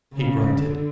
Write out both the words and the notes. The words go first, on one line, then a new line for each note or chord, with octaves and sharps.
He grunted.
C#3
D3